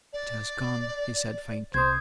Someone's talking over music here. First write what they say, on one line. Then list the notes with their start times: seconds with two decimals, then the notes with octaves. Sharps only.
"It has gone!" he said faintly.
0.13 D5
1.74 C2 C5 D#6 G#6